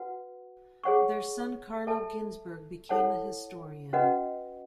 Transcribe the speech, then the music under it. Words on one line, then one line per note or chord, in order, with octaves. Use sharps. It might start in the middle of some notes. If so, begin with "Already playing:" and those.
Their son Carlo Ginzburg became a historian.
Already playing: F#4 B4 F#5
G#4 C#5 F#5 C#6
A4 E5 A5
E4 A4 C#5 F#5 A5
C#4 F#4 B4 D#5 F#5